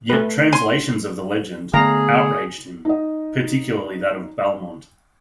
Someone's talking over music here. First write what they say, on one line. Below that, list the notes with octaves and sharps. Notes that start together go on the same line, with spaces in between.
Yet translations of the legend... outraged him, particularly that of Balmont.
A3 B4
G#5 C6
D3 A3 B3 G#4 F5 A#5
D#4 D#5